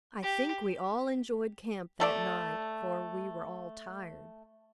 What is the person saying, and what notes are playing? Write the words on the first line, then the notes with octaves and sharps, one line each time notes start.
I think we all enjoyed camp that night, for we were all tired.
G4
A3 A4 D5